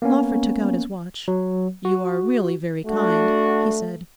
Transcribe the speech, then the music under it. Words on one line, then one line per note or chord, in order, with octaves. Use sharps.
Lawford took out his watch, 'You are really very kind,' he said.
A#3 B3 C#4
F#3
F#4
A3 D4 F#4